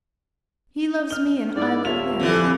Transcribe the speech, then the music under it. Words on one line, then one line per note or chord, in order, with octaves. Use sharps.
He loves me and I love him.
F6 G7
G#2 E4 D5
D#1 F4 A4 C#5 E5 F7
F2 D3 E3